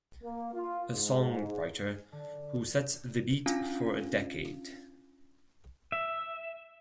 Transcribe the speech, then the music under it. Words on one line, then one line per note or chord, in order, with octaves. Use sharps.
A songwriter who sets the beat for a decade.
A#3
F4
G#2
D3
C#4 D4 E4 F4 F5 G#5
E5